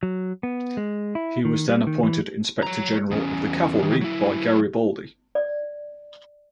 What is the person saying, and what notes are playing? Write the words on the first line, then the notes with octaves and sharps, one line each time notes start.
He was then appointed inspector general of the cavalry by Garibaldi.
F#3
B3
G#3
E4
D#3
G3
D#3
E3
C#5 A#5
E2 C#4
D#3 E3
F#3 E4
D5